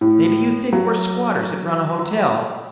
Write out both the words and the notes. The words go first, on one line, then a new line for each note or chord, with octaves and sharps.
"Maybe you think we're squatters that run a hotel?"
A2
F#3